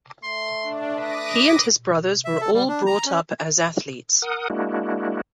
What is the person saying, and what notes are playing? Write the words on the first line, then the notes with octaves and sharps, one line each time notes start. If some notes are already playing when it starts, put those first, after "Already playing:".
He and his brothers were all brought up as athletes.
A3 C6
D4
B4 D6 D#6 A#6
E5
A4
G3
D4
A#5
C#4
A#4 F#5 D#6
G#3 A#3 D4 E4 F#4